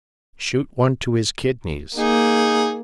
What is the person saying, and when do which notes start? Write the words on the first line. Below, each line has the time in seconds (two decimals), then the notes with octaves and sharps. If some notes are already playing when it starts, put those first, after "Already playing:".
"Shoot one to his kidneys!"...
1.97 A#3 D#4 G#4